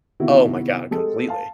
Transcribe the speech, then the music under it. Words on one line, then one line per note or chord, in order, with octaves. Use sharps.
Oh my god, completely.
C3 D#3 B3 E4 F#4
G#3 G4 A4
F5 A5